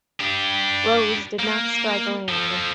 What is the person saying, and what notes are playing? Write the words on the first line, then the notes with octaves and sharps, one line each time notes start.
Rose did not strike land.
D4 G4
A#3
F3 A4